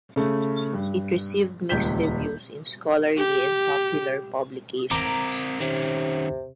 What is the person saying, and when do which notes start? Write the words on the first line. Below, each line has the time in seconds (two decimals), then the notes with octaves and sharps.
It received mixed reviews in scholarly and popular publications.
0.16 C#3 A3
0.73 G2
1.69 D#1 C#2 G6 B6
3.18 G4
4.91 C4 A#4 A#5 D6
5.60 C3 D#3 C#4